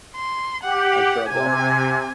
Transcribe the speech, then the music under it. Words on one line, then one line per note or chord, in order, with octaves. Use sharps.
Like, drug addicts,
C6
G4 F#5
C3 G#5